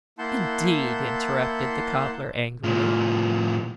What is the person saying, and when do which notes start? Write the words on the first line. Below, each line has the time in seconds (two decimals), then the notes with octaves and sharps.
'Indeed!' interrupted the cobbler angrily.
0.18 A#3 E4 F#5 A5 C6 G6
2.63 A2 F3